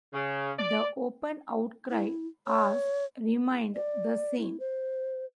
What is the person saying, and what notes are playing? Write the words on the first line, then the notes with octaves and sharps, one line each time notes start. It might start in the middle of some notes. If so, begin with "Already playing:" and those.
The open outcry hours remained the same.
C#3
D5
E4
C#5
D5
E4
C5